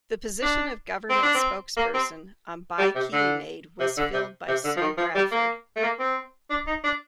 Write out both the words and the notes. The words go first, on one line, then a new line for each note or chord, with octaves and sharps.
The position of government spokesperson on Buy Kiwi Made was filled by Sue Bradford.
D4
C4
D4
C4
A#3
C4
G3
C3
D3
C3
D3
C3
C3
D3
F3
D#3
F3
G3
A#3
A3
A#3
C4
D4
D#4
D4